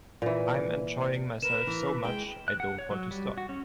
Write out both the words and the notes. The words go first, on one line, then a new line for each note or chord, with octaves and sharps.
I'm enjoying myself so much I don't want to stop.
A#2 E3
A#4 B4 E7
E3
G#3 G#4 G5
F#6
F#5
C#5
F#3
G3
F#4
C#4